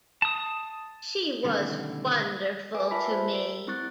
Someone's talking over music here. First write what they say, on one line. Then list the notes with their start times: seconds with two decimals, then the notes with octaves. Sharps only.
She was wonderful to me.
0.22 A5 D#6
1.44 B2 D3 D#3 G3 A3 C#4
2.75 A#4 B4 G#5 D6
2.91 F4 B4 E5 A5 B5 B6
3.11 C5
3.33 A#4 D7
3.67 C4 E4 C#6 F#6 A6